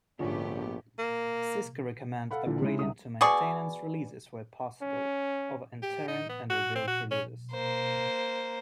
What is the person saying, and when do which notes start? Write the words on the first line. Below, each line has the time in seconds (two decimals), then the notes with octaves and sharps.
Cisco recommend upgrading to Maintenance releases where possible, over Interim and Rebuild releases.
0.19 A#1 G#2 D3 A3 B3 C#4 F4 G4
0.99 A#3
2.31 A4 F5 F#5 B5
2.46 A#2 D3 E3
2.62 C#3 G#3 D#4 E4
2.79 C2 C3 D#4 D#6
3.21 B2 G#4 D5 C#6
4.82 C#4
5.82 G4
6.08 D#4
6.29 B3
6.50 F#4
6.75 C4
6.87 F#4
7.11 C#4
7.53 A#3 C5